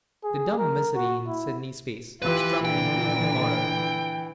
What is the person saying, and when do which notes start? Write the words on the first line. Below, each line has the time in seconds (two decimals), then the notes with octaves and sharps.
The dumb misery in Sydney's face struck Linley with horror.
0.24 G#4
0.58 A#4
0.96 F#4
1.27 E4
2.22 E3 F4 G4 B4
2.65 A#2 D3 G5
3.19 E3